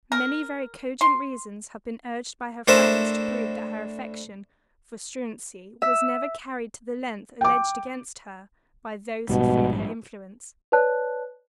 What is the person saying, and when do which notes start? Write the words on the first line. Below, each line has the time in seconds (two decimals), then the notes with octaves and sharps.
Many very cogent reasons have been urged by her friends to prove that her affection for Struensee was never carried to the length alleged against her by those who feared her influence.
0.12 A#4
1.01 C6
2.68 A2 D4 A#4 C5 E5
5.82 E5
7.41 G5 D6
9.29 A#1 G#2 B2 G3
10.72 B4 C#5 D5 A5 F#6